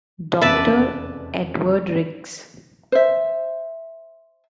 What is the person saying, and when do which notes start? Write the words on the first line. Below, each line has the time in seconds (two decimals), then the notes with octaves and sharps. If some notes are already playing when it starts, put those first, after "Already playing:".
Doctor Edward Riggs.
0.42 F1 E2 C#3 B4 D5 E5 A5
2.92 C5 E5